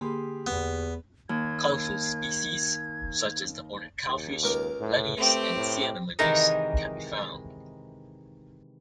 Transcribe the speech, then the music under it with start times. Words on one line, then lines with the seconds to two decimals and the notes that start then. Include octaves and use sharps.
Colorful species such as the ornate cowfish, blennies, and sea anemones can be found.
0.01 D3 A#3 G4 G#4 B5 C6
0.47 E2 B3
1.29 D#2 G#6
4.07 D#2
4.43 C#2 A#4 D6
4.80 A2
5.17 A3 C4 G4
5.55 A2
6.19 C3 D#3 E3 G#3 D#4 A#4